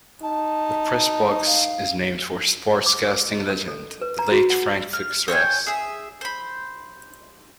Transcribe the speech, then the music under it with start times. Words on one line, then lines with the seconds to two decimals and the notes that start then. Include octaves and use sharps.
The press box is named for sportscasting legend, the late Frank Fixaris.
0.23 D#4 A5
1.46 F5
2.86 D6
3.05 A#4
3.31 D#5
3.50 A#4
3.68 A4
4.01 B4
4.19 A#5
4.31 F#4
4.50 F#5
4.93 F6
5.28 C5 C#5 G5 G#5
5.67 G#4 E5
6.21 C5 B5